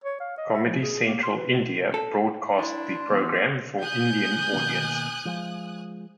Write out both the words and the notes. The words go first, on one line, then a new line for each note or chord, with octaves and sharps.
Comedy Central India broadcast the program for Indian audiences.
C#5
F5
D#5
E5
F3
G#4
A#3
C6
B4
A4
D4 E4 C6
E2 B3
G#5 D#6 F#6 G6
B2 D#3 A#3
F3 G#3